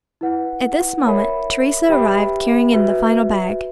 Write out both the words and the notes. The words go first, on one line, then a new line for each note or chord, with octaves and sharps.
At this moment Teresa arrived carrying in the final bag.
E4 B4 F#5
A#4 C#5 E5 B5
G4 B4 E5 G5 B5
F#4 B4 E5